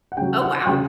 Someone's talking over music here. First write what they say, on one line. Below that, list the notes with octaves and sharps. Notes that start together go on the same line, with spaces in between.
Oh, wow.
F#5
C#3 F#3 G5
F#5
C#3 F#3 G5